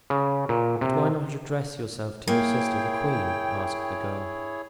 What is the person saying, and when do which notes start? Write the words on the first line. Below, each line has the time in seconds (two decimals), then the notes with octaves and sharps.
"But why not address yourself to your sister, the queen?" asked the girl.
0.10 C#3
0.49 A#2
0.81 C3
2.28 A#3 E4 G#4 C#5 G5